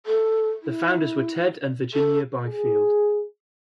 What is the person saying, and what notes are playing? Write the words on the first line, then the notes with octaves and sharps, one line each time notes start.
The founders were Ted and Virginia Byfield.
A4
E4
A4
G#4